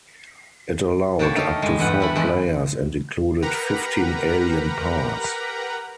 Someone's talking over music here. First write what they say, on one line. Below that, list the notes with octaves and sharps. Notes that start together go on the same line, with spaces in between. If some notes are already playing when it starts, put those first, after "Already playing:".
It allowed up to four players and included fifteen alien powers.
D3 A#3 G4 C#5 A5
A3 D#4 A4 A#4 F5
A2 G#3
E2 G2 B3 G4 F#5
D4 E4 B5
E2 G#3 G4 B5
G4 A#4 B4 F#5 A#5 B5